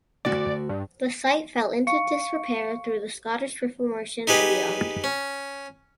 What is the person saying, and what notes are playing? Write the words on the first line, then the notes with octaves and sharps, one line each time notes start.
The site fell into disrepair through the Scottish Reformation and beyond.
D2 A3 F#4 D5
G2
F5 C#6 C#7
D#4 G4 G#4 B4
C#4